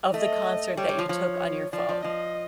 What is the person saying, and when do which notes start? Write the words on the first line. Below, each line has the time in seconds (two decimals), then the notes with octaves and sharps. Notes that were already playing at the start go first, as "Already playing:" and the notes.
of the concert that you took on your phone?
0.14 A3 D#5
0.77 G3 C#5
0.89 G3
0.99 F3
1.09 F3 C#5
1.73 F3 D5
1.89 F3
2.04 F3 D#5